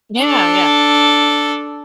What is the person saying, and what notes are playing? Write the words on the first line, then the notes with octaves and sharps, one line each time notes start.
Yeah, yeah.
D4 A4